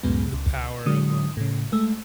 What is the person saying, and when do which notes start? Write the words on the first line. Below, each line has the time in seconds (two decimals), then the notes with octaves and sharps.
the power of, um,
0.03 C#2 F#2 A2 G#3 B3
0.33 C#2
0.86 D3 F#3 G#3 D#6
1.37 A2 C#3
1.72 G#3 A3 E6